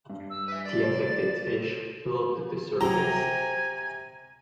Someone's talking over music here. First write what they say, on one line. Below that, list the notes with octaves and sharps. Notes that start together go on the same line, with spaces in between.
The affected fish float to the surface.
G2
E6
B4 E5 B6
D5 A6
C3 F#3 G5 G#5 A#5